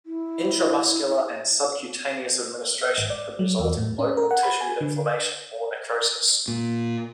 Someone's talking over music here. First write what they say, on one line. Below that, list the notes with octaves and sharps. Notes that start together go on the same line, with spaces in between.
Intramuscular and subcutaneous administration could result in local tissue inflammation or necrosis.
E4
G#1
D5
F#3
E2
A2
C#4
A#4
F#5
B5
G#5
D3
A#2